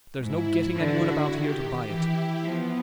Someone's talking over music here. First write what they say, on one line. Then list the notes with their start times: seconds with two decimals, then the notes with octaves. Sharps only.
There's no getting any one about here to buy it.
0.22 G#2 E4
0.77 D3 F#4
1.32 D#3 G4
1.88 E3 E4
2.44 F3 B3